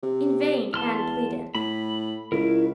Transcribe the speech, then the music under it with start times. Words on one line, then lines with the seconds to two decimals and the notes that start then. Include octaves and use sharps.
In vain Anne pleaded.
0.02 C3
0.74 E2 A5 C6 F6
1.55 A2 B5
2.32 C#2 E4 A#4